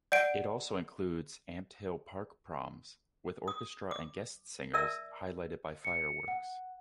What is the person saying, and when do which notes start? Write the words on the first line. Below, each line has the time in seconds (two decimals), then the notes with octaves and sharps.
It also includes "Ampthill Park Proms", with orchestra and guest singers, highlighted by fireworks.
0.12 D5 F#5 D7
3.48 D#6
3.91 D6
4.74 A#4 D5 E5 A5 E6
5.85 C#7
6.28 F#5